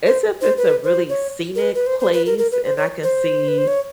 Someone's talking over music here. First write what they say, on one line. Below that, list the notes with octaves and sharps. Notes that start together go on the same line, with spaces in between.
it's if it's a really scenic place and I can see
C5
C5
B4
C5
C#5
A#4
B4
B4
C5
C5
B4
A#4
A#4
B4
C5
C#5
C5
B4
C5
C#5